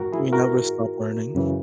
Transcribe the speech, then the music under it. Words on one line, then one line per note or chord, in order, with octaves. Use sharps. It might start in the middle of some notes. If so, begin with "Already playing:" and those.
We never stop learning.
Already playing: G#2 D#3 F#4 A#4
E4 G#4
F#4 A#4
F#2 C#3 E3